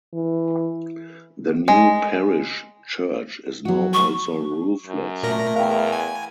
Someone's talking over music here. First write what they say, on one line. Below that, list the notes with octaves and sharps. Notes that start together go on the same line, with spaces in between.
The new parish church is now also roofless.
E3
G#3
F#3 F#4
C#6
F#2
A#2 A3 A#4 A#6
E2 A#4 F5 G5
G#5